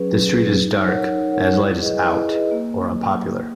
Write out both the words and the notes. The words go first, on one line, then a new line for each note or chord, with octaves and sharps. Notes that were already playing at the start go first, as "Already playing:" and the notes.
The street is dark, as light is "out", or unpopular.
Already playing: F#3 C#4 G#4 B4
F#3
C#4 G#4 B4
D#4
A#4 C#5 F#5
D#4
A#4 C#5 F#5
E4
G#4 B4 D#5
E4
G#4 B4 D#5
A#3